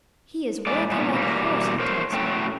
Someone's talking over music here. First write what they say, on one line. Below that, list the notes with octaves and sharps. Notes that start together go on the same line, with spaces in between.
He is working like a horse, he tells me.
A#2 G#3 D5
G2 A#2 B3 C#4
B2 E3 G3 A#3
A#4 C5 C#5
A2 F#3 A3 C#4 G5